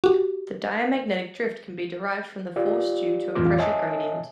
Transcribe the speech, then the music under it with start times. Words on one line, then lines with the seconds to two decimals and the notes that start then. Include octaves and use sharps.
The diamagnetic drift can be derived from the force due to a pressure gradient.
0.04 F#4 G4
2.56 F4 G4 D5
3.35 F2 A2 E3 F4 F5 D6
3.58 C#5 D#5 E5 G#5 A5